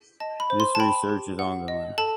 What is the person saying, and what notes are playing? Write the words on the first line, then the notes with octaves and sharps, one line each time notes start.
This research is ongoing.
D#5 A5
B5
C5
C6
A5
G5 B5
G4
F#5
D#5
A4 A5